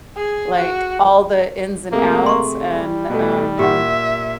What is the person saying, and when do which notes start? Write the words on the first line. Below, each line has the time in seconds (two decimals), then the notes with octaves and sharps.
like, all the ins and outs and, um,
0.17 G#4
0.55 F#4
1.92 C3 A3 A#3 G#4
2.26 C6 C#6
2.72 G3
3.10 B2 A3
3.59 A#2 G4 E5 F#5